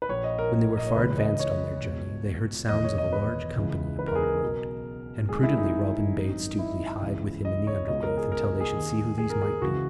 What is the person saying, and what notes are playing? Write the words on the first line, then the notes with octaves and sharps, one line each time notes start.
When they were far advanced on their journey they heard sounds of a large company upon the road; and prudently Robin bade Stuteley hide with him in the undergrowth until they should see who these might be.
B4
A#1 A#2 C#5
D#5
A#4
A#4
D#5
C#5
C#2 C#3 E3 B4
D#5
D#5
C#5
C#2 B2
E1 E2 D#3 D#5
C#5
D#5
B4
C#2 C#3 E3
B4
A#4
G#4
A#4
B1 B2
G#1 G#2 D#3 G#4
E4
D#4
G#1 F#2 D#3
E4
C#2 C#3 E3
D#5
C#5
C#2 B2 D#5
A#4
G#4
A#4
A#4
G#4
D#2 D#3
G#4
A#4
G#4
C#2 C#3 E3 F#4